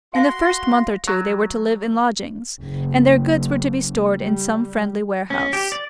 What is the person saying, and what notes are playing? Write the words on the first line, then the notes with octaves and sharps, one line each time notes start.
In the first month or two they were to live in lodgings, and their goods were to be stored in some friendly warehouse.
F#4 F5 C6 A#6
F#3
F#1
G3
C#4
G4
D5